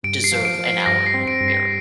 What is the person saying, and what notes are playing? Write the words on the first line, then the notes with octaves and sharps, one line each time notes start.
deserve an hour, here
G2 D7
C7
F3
D7
F3
C7
G2 A#6
C7
C4
D7
G2
C7